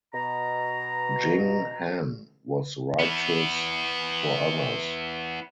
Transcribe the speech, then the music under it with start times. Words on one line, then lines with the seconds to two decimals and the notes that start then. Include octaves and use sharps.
Jing Han was righteous for others.
0.13 B2 A#5
2.99 E3 B3